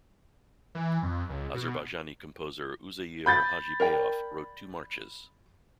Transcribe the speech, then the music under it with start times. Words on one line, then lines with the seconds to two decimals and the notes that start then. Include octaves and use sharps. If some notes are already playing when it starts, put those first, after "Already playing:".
Azerbaijani composer Uzeyir Hajibeyov wrote two marches.
0.75 E3
1.03 F2
1.29 C#2
1.54 B2
3.26 B5 G6 A6
3.80 A#4 D5 G5